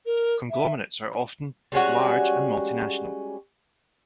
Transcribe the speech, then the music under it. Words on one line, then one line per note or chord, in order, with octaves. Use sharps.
Conglomerates are often large and multinational.
A#4
E5
G3 G#3 C#4 F#4